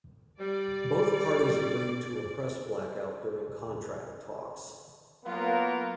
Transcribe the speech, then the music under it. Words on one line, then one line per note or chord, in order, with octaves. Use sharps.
Both parties agreed to a press blackout during contract talks.
G3 D5
F#3 A#3 B3 F4 A#4